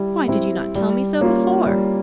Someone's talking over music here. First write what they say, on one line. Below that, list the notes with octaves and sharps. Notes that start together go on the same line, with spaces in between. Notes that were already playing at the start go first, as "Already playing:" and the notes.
Why did you not tell me so before?
Already playing: G3 E4
C4 E4
G3
A#3 C#4 F4
G3